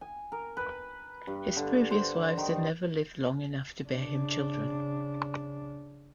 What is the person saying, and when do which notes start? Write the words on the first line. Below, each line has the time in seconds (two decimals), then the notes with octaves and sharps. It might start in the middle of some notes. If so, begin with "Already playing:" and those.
His previous wives had never lived long enough to bear him children.
0.01 G#5
0.32 A#4
0.57 B4
1.27 G2
1.56 D3
1.90 C5
2.37 D#3
3.88 C#3 D4